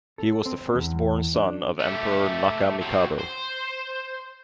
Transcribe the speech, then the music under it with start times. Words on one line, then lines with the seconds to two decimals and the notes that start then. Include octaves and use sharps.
He was the firstborn son of Emperor Nakamikado.
0.18 A4
0.46 C4
0.75 E2
1.35 D4
1.79 A3 G4
2.81 F#3 C4
3.19 C5